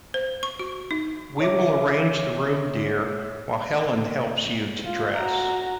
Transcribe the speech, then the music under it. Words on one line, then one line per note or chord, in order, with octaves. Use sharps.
We will arrange the room, dear, while Helene helps you to dress.
C5
C#6
F#4
D#4
C#5 E5 D6
F4
F#4 A#5